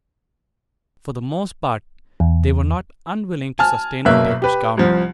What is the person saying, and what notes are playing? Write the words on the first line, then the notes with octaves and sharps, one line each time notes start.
For the most part, they were not unwilling to sustain the Turkish Government.
E2
G#5 A5 F6
F#1 B2 A#3 E5 F#6
G4 B4
C2 F3